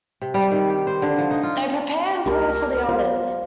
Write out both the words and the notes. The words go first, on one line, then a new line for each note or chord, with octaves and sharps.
They prepare, and call for the elders.
C3
G3
D#3
G4
C5
D3
F3
D#4
F4
C#2 A3 D4 G4 A#4
B3 F4 C5 F5